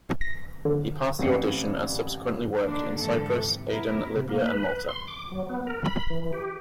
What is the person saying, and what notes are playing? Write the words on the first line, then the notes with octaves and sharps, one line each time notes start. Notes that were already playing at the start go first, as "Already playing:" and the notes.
He passed the audition and subsequently worked in Cyprus, Aden, Libya and Malta.
A#6
D3
A1 G2 C4 B4 C7 C#7
D3 D#3 A#3 D4
G#2 D3 E3 A4
C3
B3 E4 A#4
C3
A#3
B4
C6
D6
F#3
B3
A#4
B5
E3
G4